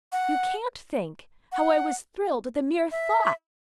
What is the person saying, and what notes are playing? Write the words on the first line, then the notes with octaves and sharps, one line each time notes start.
You can't think how I was thrilled at the mere thought.
F#5
F#5
E5